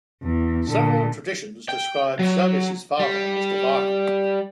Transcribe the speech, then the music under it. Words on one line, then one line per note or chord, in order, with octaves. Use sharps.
Several traditions describe Servius' father as divine.
E2
A#2 D3
G5
F#3
G3